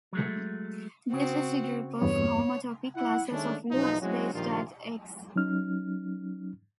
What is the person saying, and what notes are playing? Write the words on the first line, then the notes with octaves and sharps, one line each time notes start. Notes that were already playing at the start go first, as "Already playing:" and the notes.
This is the group of homotopy classes of loops based at "x".
F#3 G#3 A3
C#3 C4 F#4
E2 G2 B3 C#5
E4 F#5
D#3 G#3 A3 C#4 D4
B1 E2 F3 D#4
F#3 G#3 C4 C#4 E4 F#4
A#1 D#3 F3 G3 D4 F4
F#3 C#4 D#4 F6